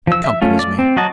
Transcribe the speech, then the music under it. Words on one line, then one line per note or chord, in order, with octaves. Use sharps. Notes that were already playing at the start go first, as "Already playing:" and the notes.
'Accompanies me.
F3 E6
E5
A3 C#4 F4
D5
C4
F#3 F#4 D#5 A5